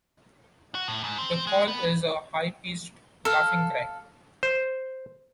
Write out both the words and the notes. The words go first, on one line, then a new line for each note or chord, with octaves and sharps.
The call is a high-pitched "laughing" cry.
F#4
A2
G#2
C4
C4
G#3
B3
A4 F5
C5